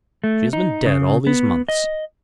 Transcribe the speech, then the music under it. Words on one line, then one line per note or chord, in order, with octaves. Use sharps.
She has been dead all these months.
A3
D#4
C#3
B3
D#5